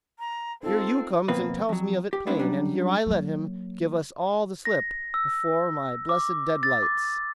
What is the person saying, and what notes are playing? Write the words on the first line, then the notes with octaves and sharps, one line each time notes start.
Here you comes and tells me of it plain; and here I let him give us all the slip before my blessed deadlights!
A#5
C4 D#4 F4 A4
F2 B2 A#3 C4 B4
F2 F#3
G4
G#3 B3 C4 D4 E4
F#3 G3 C#4 D4
F#3 A#3
A#6
E6
D6
A6
D6